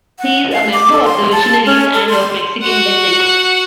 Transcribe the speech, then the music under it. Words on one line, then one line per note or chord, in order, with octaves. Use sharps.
He is a member of The Visionaries and Of Mexican Descent.
F#5
F5
D6
A4
C6
A5
C#4
A4
C6
F#4 F#5